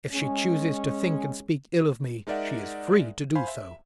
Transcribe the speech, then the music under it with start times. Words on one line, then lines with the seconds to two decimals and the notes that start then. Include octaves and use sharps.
If she chooses to think and speak ill of me, she is free to do so.
0.12 G#3 C#4
2.27 G#3 D#4 A#4 D5 E5 F#5
3.35 C5 F5 G#5 B5 C6
3.47 E5